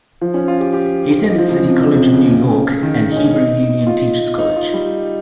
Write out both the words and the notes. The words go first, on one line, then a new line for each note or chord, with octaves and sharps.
He attended City College of New York and Hebrew Union Teachers College.
F3
C#4
F4
G4
G4
D#4
F3
C#3
C3
C#3
C3
C#3
C#3
D#3
D#4
C#4
D#4
F4
D#4
F4
G3